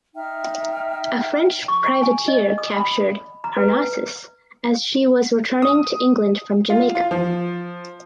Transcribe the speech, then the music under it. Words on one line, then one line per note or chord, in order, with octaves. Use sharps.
A French privateer captured "Parnassus" as she was returning to England from Jamaica.
D#4 E5 G5 F6
C#6
G#5
D#5
D#6
B5
A#5
B4
D#6
F4
F4
F3